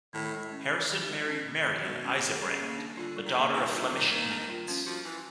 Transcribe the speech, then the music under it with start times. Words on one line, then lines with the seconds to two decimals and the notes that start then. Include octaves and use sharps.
Harrison married Marion Isebrand, the daughter of Flemish immigrants.
0.13 A2 D#3
0.32 G#3
0.51 C#4
0.70 D#3
0.89 D#3
1.08 G#3
1.27 C#4
1.46 D#3
1.65 D#3
1.83 B2 G#3
2.02 C#4
2.22 D#3
2.40 C#3 G3
2.60 A#3
2.78 D4
2.97 D3 F4
3.17 G3
3.26 D#3
3.35 A#3
3.54 E3 D4
3.68 D#3 F4
3.82 D3
3.92 D#3 G3
4.11 D#3 A#3
4.30 D4
4.49 F4
4.67 F3 C#4
4.86 F3 F#4
5.05 E3 B4